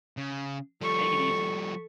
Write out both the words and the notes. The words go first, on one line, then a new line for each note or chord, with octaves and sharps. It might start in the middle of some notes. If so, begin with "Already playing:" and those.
Take it easy!
C#3
F3 G3 A4 C#6